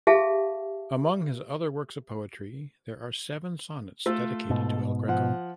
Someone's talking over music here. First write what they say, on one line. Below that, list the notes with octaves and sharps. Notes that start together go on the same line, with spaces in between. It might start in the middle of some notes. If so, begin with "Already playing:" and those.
Among his other works of poetry there are seven sonnets dedicated to El Greco.
G4 G#4 E5 F5 A5
A3 F4 A4
G#2 B2
F3 F#5